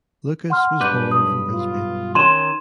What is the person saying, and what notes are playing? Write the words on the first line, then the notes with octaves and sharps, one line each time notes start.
Lucas was born in Brisbane.
F#5 C6 F6
B1 G2 D4 B4 D6 F#6 G6
D#6
F4
D#3 C#4 C6 G#6 D#7 E7